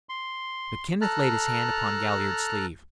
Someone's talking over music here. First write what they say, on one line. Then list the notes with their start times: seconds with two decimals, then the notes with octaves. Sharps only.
But Kenneth laid his hand upon Galliard's sleeve.
0.09 C6
1.01 A4 A5 A#5 F6 F#6